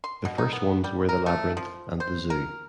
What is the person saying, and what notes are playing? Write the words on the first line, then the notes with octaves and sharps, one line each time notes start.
The first ones were the labyrinth and the zoo.
C6
B2
D#4
B3
G3
A#4
A3
F3
C5
A#4